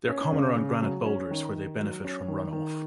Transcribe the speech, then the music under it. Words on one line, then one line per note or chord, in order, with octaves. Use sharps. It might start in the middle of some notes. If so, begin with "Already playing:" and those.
They are common around granite boulders where they benefit from runoff.
C#4
C#3
C#3
F#3
C#4
D#3
D#3
F#3
C#4
D#3
D#3